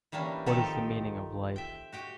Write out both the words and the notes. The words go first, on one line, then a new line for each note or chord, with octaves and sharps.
What is the meaning of life?
E3 G3 A#3 C#4 D4
D#3 F3 C4 D#4 G4 A4
E5 G5
F#4 G4 G5